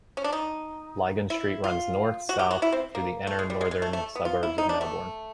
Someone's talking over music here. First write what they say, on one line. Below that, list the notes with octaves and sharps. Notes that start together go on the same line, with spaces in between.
Lygon Street runs north-south through the inner northern suburbs of Melbourne.
C#4
D4
D#4
E4
F4
F#4
G4
F#4
E4
C4
A#3
A3
G#3
G3
G#3
G#3
A3
A3
B3
F4
E4
D#4
D4
A3